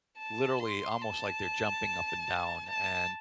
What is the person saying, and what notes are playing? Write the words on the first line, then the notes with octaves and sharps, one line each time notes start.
literally, almost like they're jumping up and down, and,
A5
C6
A5
A5